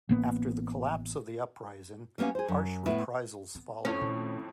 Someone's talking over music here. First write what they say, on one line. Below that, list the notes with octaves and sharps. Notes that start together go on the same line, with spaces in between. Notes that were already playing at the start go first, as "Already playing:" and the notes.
After the collapse of the uprising, harsh reprisals followed.
A1 A#3 B3
G3 A#3 B3 C#4 F5
G#4 C5
F#2
A2 B3 E4
B3
F2 A2 C#4
A#2 D#3